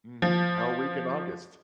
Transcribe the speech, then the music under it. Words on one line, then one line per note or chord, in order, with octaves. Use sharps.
Mhm. Hell Week in August.
F3